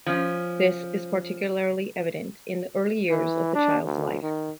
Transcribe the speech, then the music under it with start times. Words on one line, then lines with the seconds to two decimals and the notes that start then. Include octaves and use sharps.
This is particularly evident in the early years of the child's life.
0.06 F3 C#4
3.10 E3
3.55 D4
3.85 D2
4.22 D#3